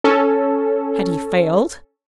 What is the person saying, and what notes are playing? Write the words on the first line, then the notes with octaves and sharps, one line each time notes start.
Had he failed?
C#4 A4